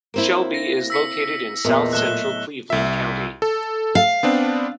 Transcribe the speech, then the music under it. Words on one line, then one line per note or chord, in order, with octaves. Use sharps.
Shelby is located in south-central Cleveland County.
A#3 C4 E4
A#6
E6 B6 C#7
E2 A#2 D#5
A2 F#3 F#6 E7 G7
C2 E5
A4
F5
B3 C4 D4